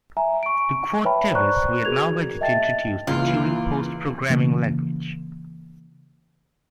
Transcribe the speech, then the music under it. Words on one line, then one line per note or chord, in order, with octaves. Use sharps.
To quote Davis: We are now ready to introduce the Turing-Post Programming Language.
E5 G#5 A#5
C#6 D7
B4 C#5 E5 G5 A5 B5
B4 C5 D5 A#5 C#6 F#6
F#4 G#4 A#4 G#6 F7
D#5 E5 G5 A5 A6
C#2 E3 A#3 F4
C#3 E3 A#3